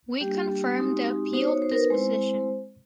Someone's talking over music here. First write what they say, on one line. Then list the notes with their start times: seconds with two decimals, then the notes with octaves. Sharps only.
We confirm the appealed disposition.
0.21 G3 A#3 D4 G4
0.77 G#3 C4 D#4 F#4
1.33 B3 D#4 F#4 C5
1.48 C#5
1.62 C5
1.72 A#4
1.76 B4
1.90 G#3 C4 E4 C5